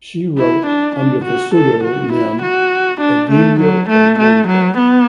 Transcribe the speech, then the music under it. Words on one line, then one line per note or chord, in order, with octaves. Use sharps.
She wrote under the pseudonym "Evelio El Monte".
E4
D4
D4
F#4
A4
F#4
E4
F#4
D4
A3
F#3
A3
A3
F#3
B3